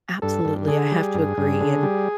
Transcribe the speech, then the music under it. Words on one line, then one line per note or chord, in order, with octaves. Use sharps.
Absolutely, I have to agree, and
G2 A4
G2
D3 G#4
G3
G2
G2
D3
G3